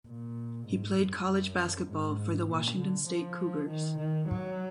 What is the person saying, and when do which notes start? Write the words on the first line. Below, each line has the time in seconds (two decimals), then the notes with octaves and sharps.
He played college basketball for the Washington State Cougars.
0.08 A#2
0.68 G#2
0.98 F#2
1.28 F#2
1.88 G#2
2.48 A#2
2.78 D3
3.08 F3
3.68 D#3
3.98 D#3
4.28 F#3